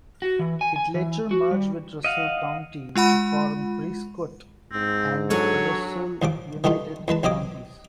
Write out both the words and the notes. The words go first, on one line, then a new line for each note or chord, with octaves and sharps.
It later merged with Russell County to form Prescott and Russell United Counties.
F#4
E3
G#5
G#5
E3
F#4
G3
D#5 F5 F#5
G#3 F4 F#5 B5
G#2 C4
F#3 D4 A4 C#5 G#5
D#2 A#2 F3 D6
E3 G3 A3 D#4 F4
E2 G#3 B4 A5
B1 C4 G4 D#5 G#5 D6